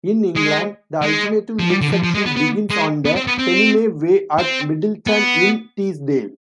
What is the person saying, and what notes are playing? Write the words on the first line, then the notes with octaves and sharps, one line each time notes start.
In England, the alternative midsection begins on the Pennine Way at Middleton-in-Teesdale.
G#3
G#3
F3
G3
D3
F3
F3
G#3
B3
B3
G#3
B3
C4
B3
C4
C4
B3